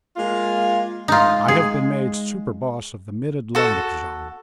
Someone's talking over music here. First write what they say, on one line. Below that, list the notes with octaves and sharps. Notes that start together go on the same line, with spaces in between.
I have been made Superboss of the Mid-Atlantic Zone.
G#3 A#3 F4
G#3 D#4 F4
G#4
F#4 A4